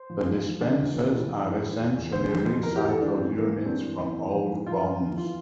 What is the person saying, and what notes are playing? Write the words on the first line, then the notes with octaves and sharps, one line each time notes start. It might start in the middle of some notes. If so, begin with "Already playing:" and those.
The dispensers are essentially recycled units from old bombs.
Already playing: C5
F3
F3
F3
D3 D5
E2
E2
A2
F3
A2
E3
E2
E2
D3 C5
F2
F2
E3 A#4
G4
E3
A4
E3 D4
A2 C4
E3
A#3
E3
G2 C4
E3
E3
A2
F3
A2
F3 F4
G2
F3
E3 F4